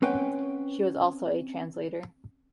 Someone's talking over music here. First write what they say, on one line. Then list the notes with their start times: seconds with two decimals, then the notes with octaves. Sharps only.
She was also a translator.
0.02 C4 C#4 B4 F#5 G5